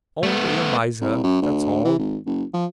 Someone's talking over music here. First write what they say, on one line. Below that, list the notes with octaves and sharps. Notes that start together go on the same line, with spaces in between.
Only a miser; that's all.'
A3 B3
C2
F#2
D2
E3
G#1
F#1
F3